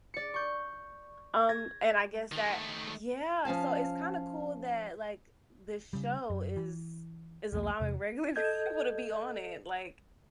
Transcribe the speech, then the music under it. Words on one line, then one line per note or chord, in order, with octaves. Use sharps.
Um, and I guess that yeah, so it's kinda cool that, like, the show is is allowing regular people to be on it, like,
D5 C#7
C#6 G6
G#6 A#6
D#3 A3
F3 C#4 F5 A5
C#3 G3
F#2
E3
B1 E2 B2 A3
E2 C3
A4 D#5 G6 G#6